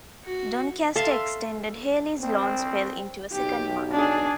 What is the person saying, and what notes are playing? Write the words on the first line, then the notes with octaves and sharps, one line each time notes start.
Doncaster extended Healy's loan spell into a second month.
F#4
A4 E5 F5 C6
C4
B1 G4
D4 G#4